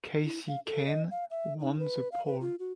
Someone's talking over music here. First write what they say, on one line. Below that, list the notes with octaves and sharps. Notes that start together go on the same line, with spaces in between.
Kasey Kahne won the pole.
E4
F5
A4
D#5
F5
E5
D#4
B4
F5
B4
F4
F#4